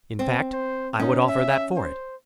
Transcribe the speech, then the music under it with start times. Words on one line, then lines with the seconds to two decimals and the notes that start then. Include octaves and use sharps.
In fact, I would offer that for it.
0.19 C4
0.53 C5
0.99 C#4 D#4
1.28 E5
1.76 C5